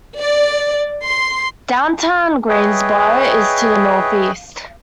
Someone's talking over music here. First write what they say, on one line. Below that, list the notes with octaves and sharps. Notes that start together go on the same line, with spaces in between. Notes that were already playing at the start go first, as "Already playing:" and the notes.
Downtown Greensboro is to the northeast.
D5
C6
G#4 B4 C#5 D#5 E5 G5